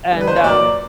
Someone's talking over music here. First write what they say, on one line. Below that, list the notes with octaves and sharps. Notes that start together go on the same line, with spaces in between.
and, um
D3 G3 B3
B4
C5
C#5
A#2 F#3 A#3 D5